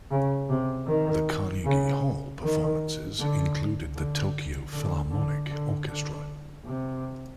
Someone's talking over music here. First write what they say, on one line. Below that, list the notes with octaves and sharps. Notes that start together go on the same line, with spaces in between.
The Carnegie Hall performances included the Tokyo Philharmonic Orchestra.
C#3
C3
D#3
C#3
D#3
D3
D3
D3
D3
D3
D3
C3